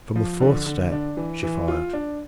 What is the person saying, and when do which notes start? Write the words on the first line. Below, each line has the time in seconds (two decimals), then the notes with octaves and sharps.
From the fourth step she fired.
0.16 F3
0.40 D3
0.66 D3
0.92 D4
1.17 E3
1.43 E3
1.68 F4
1.93 D4